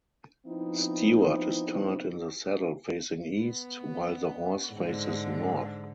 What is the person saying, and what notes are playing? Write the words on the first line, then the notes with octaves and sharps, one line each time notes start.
Stuart is turned in the saddle facing east while the horse faces north.
F3 B3 C4 D#4 E4
B3
G#2 D3